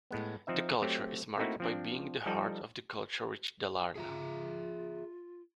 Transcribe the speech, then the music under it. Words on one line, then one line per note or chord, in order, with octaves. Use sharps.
The culture is marked by being in the heart of the culture rich Dalarna.
A2 G#3 B3
F3 C4 D#4 E5
F#3 A3 C4 G4 C#5
A3 A#3 C4 D#4 E4 F#4
F3 C4 D4
F3 G3 D#4 A4
F4 G#4 E5 A#5